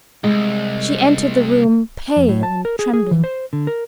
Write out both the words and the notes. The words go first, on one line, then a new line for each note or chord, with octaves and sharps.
She entered the room--pale and trembling.
C2 F2 G#3
F2
A2
A5
A#4
G#4
G#4
E3
C5
D3
A#4